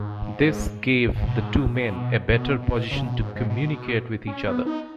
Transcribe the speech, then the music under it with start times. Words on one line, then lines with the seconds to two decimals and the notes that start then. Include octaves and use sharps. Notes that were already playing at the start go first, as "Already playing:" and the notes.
This gave the two men a better position to communicate with each other.
Already playing: G#2
1.15 G#2
1.27 B2
1.39 G#2
1.74 B2
2.33 B2
2.62 B2
2.91 C#3
3.05 B2
3.20 G#2
3.35 G#2
3.50 B2
4.27 C#4
4.47 B3
4.66 D#4